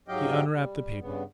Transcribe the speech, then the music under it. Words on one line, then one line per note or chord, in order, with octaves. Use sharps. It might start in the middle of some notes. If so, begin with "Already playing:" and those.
He unwrapped the paper.
G#2 F#3 G4 D#5 F5 G5
G3
G2 C#3 B3